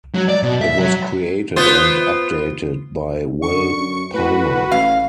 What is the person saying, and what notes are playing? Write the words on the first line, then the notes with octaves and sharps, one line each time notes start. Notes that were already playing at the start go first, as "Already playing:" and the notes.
It was created and updated by Wil Palma.
F#3
D5
B2
E5
F#3
B3 F4 C5
D3 C#6 C#7
F#2
A2 F#4 B4
A1 F5